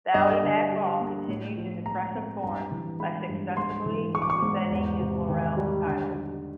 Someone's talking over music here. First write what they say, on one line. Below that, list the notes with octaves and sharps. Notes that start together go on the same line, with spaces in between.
Ballymac Ball continued his impressive form by successfully defending his Laurels title.
G2 D#5
D5
D#5
D3
G3
A#3
A2
F3
G#3 A#5
C4
G2 A#5
E3
G#3 B5
G2
G#2 C6
E3
G#3 C#6
D6
C#6
G#2
E2
C3
D#3
G3
D3
G3